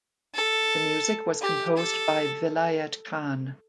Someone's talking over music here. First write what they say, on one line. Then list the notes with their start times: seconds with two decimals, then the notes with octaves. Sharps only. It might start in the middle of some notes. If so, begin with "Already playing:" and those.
The music was composed by Vilayat Khan.
0.35 A4
1.41 G4
1.77 A4